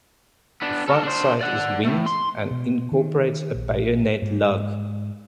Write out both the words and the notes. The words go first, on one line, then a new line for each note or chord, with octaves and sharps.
The front sight is winged and incorporates a bayonet lug.
B3 D4
A4 A#4
D4 C5
D5 F#5
A2 A3
C6
B2
D#3
A#1
G#2